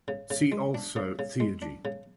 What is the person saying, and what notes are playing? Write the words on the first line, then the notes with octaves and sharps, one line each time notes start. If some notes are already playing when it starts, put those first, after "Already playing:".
See also Theurgy.
C#3
C#3
G#3
D4
C#3
C#3
G#3
D4
C#3